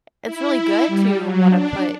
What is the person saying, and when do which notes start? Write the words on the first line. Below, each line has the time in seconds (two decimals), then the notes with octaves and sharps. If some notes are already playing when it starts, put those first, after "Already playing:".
it's really good to wanna put
0.24 E4
0.55 E4
0.86 G3
1.18 F#3
1.49 D4